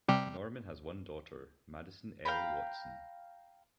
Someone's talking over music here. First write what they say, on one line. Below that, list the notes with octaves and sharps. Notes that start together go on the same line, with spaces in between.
Norman has one daughter, Madison Elle Watson.
C3 G3 G4
F5 G5 A#5 B5